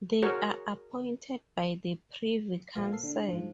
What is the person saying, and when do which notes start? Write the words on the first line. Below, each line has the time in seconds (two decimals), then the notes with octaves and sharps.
They are appointed by the Privy Council.
0.22 F#4 G#4 A#4 C#5
2.75 A#1 F3 A3 B3 F5
2.92 A#3 A4 C7
3.04 D3
3.29 G#2 F3